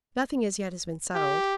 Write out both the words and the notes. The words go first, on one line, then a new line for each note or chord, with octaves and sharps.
Nothing as yet has been settled.
G4